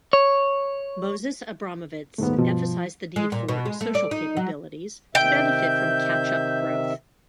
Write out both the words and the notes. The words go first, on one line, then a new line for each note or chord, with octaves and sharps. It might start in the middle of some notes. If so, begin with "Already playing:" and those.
Moses Abramovitz emphasised the need for 'Social Capabilities' to benefit from catch-up growth.
C#5
D#1 G#2 A3 B3
G2 B2 F3
G#3
A#2
B2
G#3
A3
D5
D#4
F#3
C3 D#3 E5 G5 G6